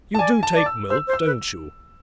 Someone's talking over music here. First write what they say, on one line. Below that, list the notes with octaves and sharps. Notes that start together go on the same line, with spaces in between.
You do take milk, don't you?
A5
D5 G#5
A5
D5
E6
C5 E6
C5
E6
B4